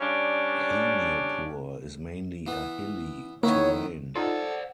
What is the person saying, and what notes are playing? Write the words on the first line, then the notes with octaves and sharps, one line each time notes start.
Hamirpur is mainly a hilly terrain.
G3 C#4 D4
E3 B3
D#3 A#3 B3 E4 C#5
D#4 F4 A4 C5 D5 F#5